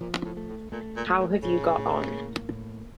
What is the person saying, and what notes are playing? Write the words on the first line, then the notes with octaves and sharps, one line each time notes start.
How have you got on?
A#2 F3
A2
A3
A2
A#2 A3
A#2
A3
A#2
A2 C#3
A2
A#3
A2